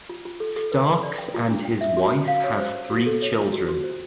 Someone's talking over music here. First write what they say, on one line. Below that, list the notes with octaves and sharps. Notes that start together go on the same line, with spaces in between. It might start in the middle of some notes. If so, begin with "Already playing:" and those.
Starks and his wife have three children.
F4
F4
A4
A4
B4
B4
D5
G5
F4
D4
G5
E5
F#4
C#4
F5
C#5
C5
C5
F#4
A4
C#5
F4
F#4
F#4
C5